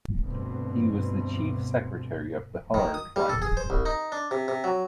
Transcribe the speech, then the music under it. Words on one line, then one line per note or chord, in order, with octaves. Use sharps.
He was the chief secretary of Bihar twice.
D2 G2 B2 B3 C4
D#3
D#6
G3
A4
G#4
C5
C2
D#4
D4
C3
C3
F#3